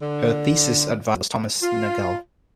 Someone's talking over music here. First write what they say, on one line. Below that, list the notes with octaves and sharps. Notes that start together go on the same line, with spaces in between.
Her thesis advisor was Thomas Nagel.
D3
F4